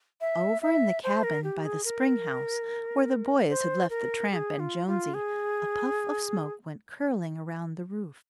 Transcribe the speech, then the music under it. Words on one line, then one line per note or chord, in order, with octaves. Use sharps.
Over in the cabin by the spring-house where the boys had left the tramp and Jonesy, a puff of smoke went curling around the roof.
E5
E5
C5
A#4
G4
G#4
A#4
C5
A#4
G#4
F4
F4
G#4